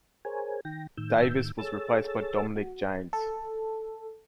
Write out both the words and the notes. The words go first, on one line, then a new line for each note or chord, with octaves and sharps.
Davis was replaced by Dominic Janes.
G#4 A#4 C5 C#5 G#5
D#3 G5 A#6
A2 D#3 E6 G6
G#4 A4 C#5 E6 A6
F#4
A4